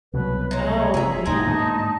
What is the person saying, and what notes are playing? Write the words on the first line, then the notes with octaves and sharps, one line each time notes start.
Oh, man.
C2 B2 F#3 B4
D#4 C5 C#5 A#5
F1 G#4 E5
D2 A2 D#4 G#5 A#5 C6
G#2 A#3 D4 A5